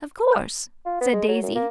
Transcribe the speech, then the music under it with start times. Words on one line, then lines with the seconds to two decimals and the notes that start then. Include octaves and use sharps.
"Of course!" said Daisy.
0.86 F4
1.01 B3
1.13 G#3
1.28 F#3
1.43 F#2
1.55 A#3